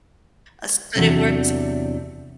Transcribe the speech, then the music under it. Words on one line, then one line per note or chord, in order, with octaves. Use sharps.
uh, s but it works
E2 C3 F#3 D4 E5